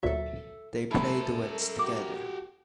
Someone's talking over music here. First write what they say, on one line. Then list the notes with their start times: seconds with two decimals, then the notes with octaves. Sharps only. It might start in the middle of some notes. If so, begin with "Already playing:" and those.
They play duets together.
0.03 D2 A#2 F#3 A4 E5
0.91 G#3 E4 A4 A#4 E5
1.79 F#4 G4 D6